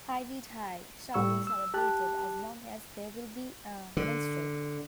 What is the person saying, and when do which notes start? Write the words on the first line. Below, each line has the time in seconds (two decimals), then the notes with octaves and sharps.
Hyveidd Hir shall be celebrated as long as there will be a minstrel.
1.14 A2 G3 C#6 E6
1.47 E6
1.74 G4 A5 F#6
3.97 D3